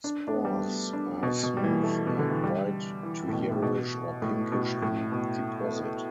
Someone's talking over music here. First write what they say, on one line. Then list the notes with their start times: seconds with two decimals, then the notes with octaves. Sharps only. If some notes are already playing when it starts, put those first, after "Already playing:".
Spores are smooth and white to yellowish or pinkish in deposit.
0.04 D4
0.28 D4
0.34 B3
0.45 G3
0.53 A3
0.64 B3
0.93 D4
1.23 B2
1.43 B2
1.57 G3
1.64 E3
1.83 A3
2.07 B2
2.19 D3
2.31 E3
2.44 G3
3.03 E3
3.28 A2
3.32 B2
3.51 A2
3.62 B2
4.22 A2
4.52 B2
4.82 A2
5.12 B2
5.64 A3
5.72 B3